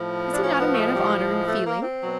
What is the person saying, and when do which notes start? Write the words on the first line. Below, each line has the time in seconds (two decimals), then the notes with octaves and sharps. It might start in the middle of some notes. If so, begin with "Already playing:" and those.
Is he not a man of honour and feeling?
Already playing: A2 F3
0.34 D4
0.44 C#4
0.60 B3
0.74 A3
0.77 G#3
0.96 G3
1.08 G#3
1.13 G3
1.24 G3
1.30 G#3
1.48 A3
1.65 A#3
1.83 C4
2.00 B2 F#3